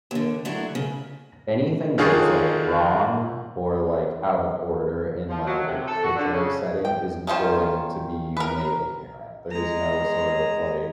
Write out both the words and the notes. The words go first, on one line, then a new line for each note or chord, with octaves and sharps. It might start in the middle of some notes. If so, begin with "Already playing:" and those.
anything that's, like, wrong or, like, out of order in, like, a kitchen setting is going to be made apparent, there's no sort of, like
D#2 D3
D3 F#3 A3 D4 E4
C#3
D3 D#3 D4 F4 G#4 C#5
F3
F#3
C3
A4
F#4
D3
C#3
G5
D#3 C#4 F4 C5
A#4 B4
G#3 A#5